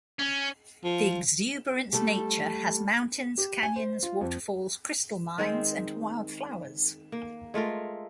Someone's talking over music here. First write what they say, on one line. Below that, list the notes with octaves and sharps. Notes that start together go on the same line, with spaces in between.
The exuberant nature has mountains, canyons, waterfalls, crystal mines, and wildflowers.
C#4
F3
G3 A3 A4
G4
G#5
C5
F4
F2
D#3 G#3 C4
A#3
G#3 A3 F4 A#4